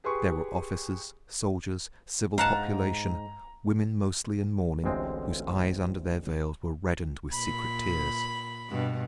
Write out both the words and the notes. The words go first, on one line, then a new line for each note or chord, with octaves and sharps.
There were officers, soldiers, civil population, women mostly in mourning, whose eyes under their veils were reddened with secret tears.
G4 G#4 B4 C6 C#6
G#2 F5 F#5 A5 A#5
A1 D2 G#3 C4 D#5
A#2 B5
G2 B2